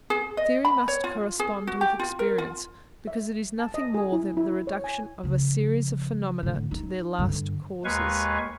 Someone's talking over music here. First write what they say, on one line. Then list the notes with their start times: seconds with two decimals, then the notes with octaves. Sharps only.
Theory must correspond with experience, because it is nothing more than the reduction of a series of phenomena to their last causes.
0.10 G#4
0.37 D#5
0.65 B5
0.88 C#5
1.04 F4
1.40 G#4
1.67 F#4
1.81 G4
1.99 F4
2.19 A#4
2.38 F4
3.07 E5
3.59 A5
3.74 D#5
3.94 G#4
4.12 E4
4.37 E4
4.67 C#5
4.84 G#5
5.23 C#3 F3
6.43 A2 D3
6.71 D#4
7.18 G2 D3
7.84 D#2 G#3 B4 F5 G#5 C#6